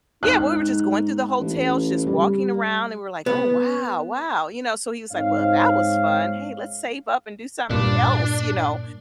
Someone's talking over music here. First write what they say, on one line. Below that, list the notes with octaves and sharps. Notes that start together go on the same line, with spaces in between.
yeah, we were just going through the hotels, just walking around, and we're like, “Oh wow, wow,” you know, so he was like, “Well, that was fun, hey, let's save up and do something else,” you know,
G#2 F#6
A1
G3
B3
G#2 G#3 C4 C#5 F5
G2 A#2 D4